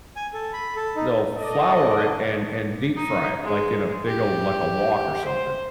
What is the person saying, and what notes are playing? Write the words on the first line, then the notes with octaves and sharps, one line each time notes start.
they'll flour it and and deep-fry it, like in a big ole like a wok or something,
G#5
A4
B5
A4
D#4
A4 D5 D#5
D#4
G#3
G4
C5